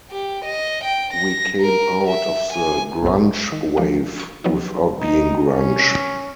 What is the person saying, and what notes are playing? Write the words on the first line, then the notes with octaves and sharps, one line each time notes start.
We came out of the grunge-wave, without being grunge.
G4
D#5
G5
A#6
A#4
E5
G#5
B1 F#2 A2 F#3 B3
D#3
E3 F3 G#3 A3 D4
C#6
F3 F#3 B3 C#4 D#4
D#4
C#4